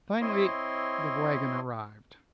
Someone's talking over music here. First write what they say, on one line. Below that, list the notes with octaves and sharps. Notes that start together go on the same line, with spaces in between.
Finally the wagon arrived.
C4 E4 C#5 D#5 C6